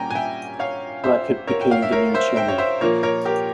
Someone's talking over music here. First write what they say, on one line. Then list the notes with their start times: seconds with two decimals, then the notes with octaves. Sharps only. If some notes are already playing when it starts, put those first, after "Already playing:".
Rakib became the new chairman.
Already playing: A#2 G3 A#3 C#4 G5 G#5 A#5
0.10 G#5
0.15 E5 G5
0.59 C#5 F5
1.04 C5 E5
1.47 A#4 C#5
1.61 G5
1.71 F5
1.82 E5
1.92 A#4 C#5
2.15 C5 E5
2.36 E5 G5
2.48 C#5
2.58 C5 E5
2.81 A#2 F3 A#3 A#4 C#5
3.03 A#4 C#5
3.25 G4 A#4